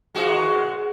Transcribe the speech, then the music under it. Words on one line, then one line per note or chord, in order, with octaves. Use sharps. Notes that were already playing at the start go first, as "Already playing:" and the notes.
Oh, okay.
G#3 F#4